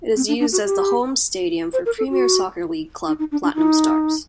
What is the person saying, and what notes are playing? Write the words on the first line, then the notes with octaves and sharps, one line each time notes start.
It is used as the home stadium for Premier Soccer League club Platinum Stars.
C4
D4
D4
F#4
G4
C5
A#4
A4
F#4
D#4
D#4
D4
D4
D#4